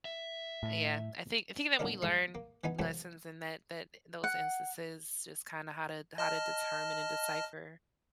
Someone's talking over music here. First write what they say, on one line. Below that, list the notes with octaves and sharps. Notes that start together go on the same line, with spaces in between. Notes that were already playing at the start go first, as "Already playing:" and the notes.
uh, yeah, I think I think that we learn lessons in that that those instances, just kinda how to how to determine and decipher
E5
A2
B1 A#2 F#3 D4 A#4 D#5
G#2 A3 C6
A#3
E3 B3 D#4 G#5
C3 E3 F#3 A3 A#3 C4
F#5
D#5 A5 F6